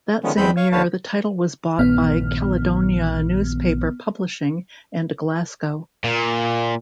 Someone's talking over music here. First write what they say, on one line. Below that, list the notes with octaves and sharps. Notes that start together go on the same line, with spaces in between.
That same year the title was bought by Caledonia Newspaper Publishing and Glasgow.
D3 D#3 F3 G#3 B3 C#4
E2 G3 G#3 C4 B5 G6
C#5 F5 C#6
D#2 D3 B4 C#5 F5 A5
A#1 D#3 B3 F6
A#2